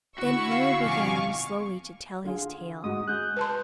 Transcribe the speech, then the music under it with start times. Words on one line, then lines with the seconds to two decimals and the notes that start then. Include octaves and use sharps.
Then Henry began slowly to tell his tale.
0.18 D3 E4 F#4 F#5 C#6 E6
0.51 F5
0.84 F2 B2 G#5 C#6 D6 F6
2.24 D3 F4 G#4
2.84 G#2 F#4 D#6
3.07 G#3 F#6 G6
3.37 B4 A5 C6